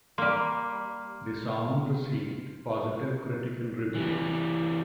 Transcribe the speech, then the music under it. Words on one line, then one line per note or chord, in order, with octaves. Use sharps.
The song received positive critical reviews.
G3 A#3 C6 F6
E3 G3